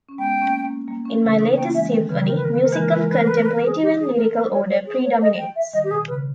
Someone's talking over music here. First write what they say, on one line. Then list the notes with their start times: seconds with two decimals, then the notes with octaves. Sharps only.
In my latest symphony, music of a contemplative and lyrical order predominates.
0.09 C#4
0.18 G#3 B3 G5
0.42 A#3 C#4
0.64 A#3 C#4
0.88 G3 A#3
1.05 A#3 C#4
1.23 C#3 E3
1.40 B3 D#4
1.57 A#3 C#4 G5
1.74 E3 G#3 E5
1.92 D#3 G3
2.09 C#3 E3 B4
2.26 D#3 G3 A#4
2.36 B4
2.45 A#4
2.54 B4
2.63 A#3 A#4
2.73 E3 G#3 B4
2.81 A#4
2.91 B4
2.96 E3 G#3 A#4
3.09 B4
3.18 A#4
3.27 B4
3.36 A#4
3.46 B4
3.55 A#4
3.66 G#4
3.82 G4
4.00 G#4
4.17 A#4
4.34 B4
4.52 C#5
4.69 C#5
4.86 G#4
5.04 C#5
5.22 D#5
5.39 G5
5.56 E5
5.73 D#3 G3 D#5
5.84 G4
5.91 B2 G#4
6.08 C#3 B4